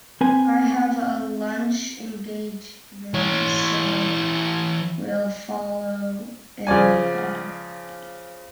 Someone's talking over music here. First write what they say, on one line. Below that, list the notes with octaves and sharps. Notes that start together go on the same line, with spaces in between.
I have a lunch engagement, so will follow in the car.
C4 B4 G#5
E3 C#5
C#3 F3 D5 G#5